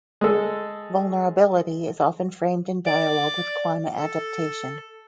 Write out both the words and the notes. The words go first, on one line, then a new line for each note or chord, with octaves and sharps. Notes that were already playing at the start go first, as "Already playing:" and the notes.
Vulnerability is often framed in dialogue with climate adaptation.
G#3 A4
D5
A4